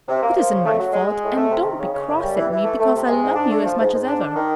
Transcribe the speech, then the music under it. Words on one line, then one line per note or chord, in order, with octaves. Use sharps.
It isn't my fault and don't be cross at me, because I love you as much as ever.
C3
A#3
F3
C#3
A3
F#3
G#3
G#3
A2
A3
C3
D#3
C#3
C#3
F#2
G3
E3
E3
A3
A3
C3
G#3
G#2
D4
A3
F3
G#2
G#2
D4
D4
D#3